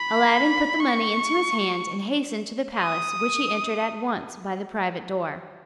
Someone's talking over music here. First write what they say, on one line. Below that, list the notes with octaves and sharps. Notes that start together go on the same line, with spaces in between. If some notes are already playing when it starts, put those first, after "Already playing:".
Aladdin put the money into his hand, and hastened to the palace, which he entered at once by the private door.
Already playing: B5
C#6
D#6